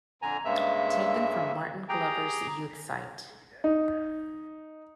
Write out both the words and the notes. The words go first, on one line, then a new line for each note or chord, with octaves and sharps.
Taken from Martin Glover's Youth site.
F2 D3 G#5 A#5
G2 C#3 G#3 A#3 E5
G4 G#4 G5 A#5
D#4